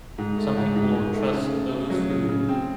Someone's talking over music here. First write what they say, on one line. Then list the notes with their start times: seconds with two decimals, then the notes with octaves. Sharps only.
Some people trust those who
0.18 G#2
0.38 A3
0.57 G#2
0.76 G#2
0.95 G#2
1.14 A3
1.34 C#3
1.53 A3
1.71 C#3
1.90 F#3
2.10 C#3
2.28 C#3
2.49 C4